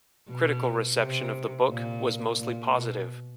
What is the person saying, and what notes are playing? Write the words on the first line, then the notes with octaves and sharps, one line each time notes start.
Critical reception of the book was mostly positive.
B2
C3
A#2
A#2
B2